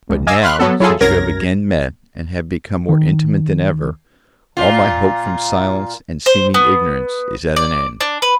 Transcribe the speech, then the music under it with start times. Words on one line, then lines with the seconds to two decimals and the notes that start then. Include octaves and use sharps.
But, now, since you have again met, and have become more intimate than ever, all my hope from silence and seeming ignorance is at an end.
0.09 C#2
0.27 D#5 F5 G#5 D6 E6
0.42 B5 C6 F6 F#6
0.59 F#3 B3 A4
0.80 F#3 E4 F4 G#4 A4
1.01 C2 F#2 F#3 A#4 G#6 A#6
2.89 D#3
4.57 A#2 F4
6.26 C5
6.54 B3
7.56 D5
8.01 D4
8.22 B4